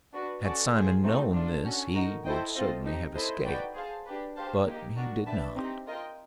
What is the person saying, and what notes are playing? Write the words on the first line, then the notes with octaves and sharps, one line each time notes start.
Had Simon known this he would certainly have escaped; but he did not.
D4 F#4 B4
C#4 F#4 A4 D5
F4 G#4 C5
A3 C4 D#4 F#4
D4 F4 A4
C#4 F#4 A4
D#4 F#4 A#4
E4 A4 C5 D#5 G5
C4 F4 A4 C5 D#5
C4 D#4 G4
E4 A4 C5 D#5
D#4 F#4 B4 D5 G5
G#4 C5 F5 A5
D4 G4 B4
G4 C5 F5 A5
A#3 D#4 G4
D4 F#4 A#4
D4 G4 B4 E5 A5
C4 D#4 G4
F4 A#4 D#5 G5